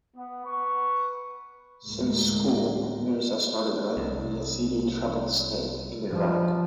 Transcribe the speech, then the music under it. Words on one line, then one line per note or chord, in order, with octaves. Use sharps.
Since school Mirza started writing on Yazidi troubled state in Iraq.
B3
B4 C#6
D2 A2 G#3 A#3
C2
F3